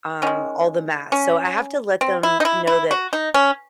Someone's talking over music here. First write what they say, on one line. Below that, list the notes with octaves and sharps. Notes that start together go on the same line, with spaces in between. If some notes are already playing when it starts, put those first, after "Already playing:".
um, all the math. So, I have to let them know that
D#3 G#3 C#4
C#4
C4
E4
D#4
E4
E4
F#4
D#4
C#4